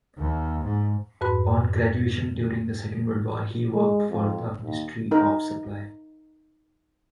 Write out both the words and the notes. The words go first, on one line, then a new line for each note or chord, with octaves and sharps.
On graduation, during the Second World War, he worked for the Ministry of Supply.
D#2
G#2
F2 G#2 F#4 B4 B5
G#3
F2
D#2
D#4 A#4